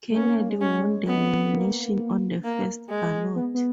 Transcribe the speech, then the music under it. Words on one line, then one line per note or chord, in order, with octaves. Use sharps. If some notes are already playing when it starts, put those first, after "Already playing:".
Kennedy won the nomination on the first ballot.
G#3
A#3 C#4
B3
A#3
A#3
G#3
C#4
B3
A#3
A#3
G#3
B3
B3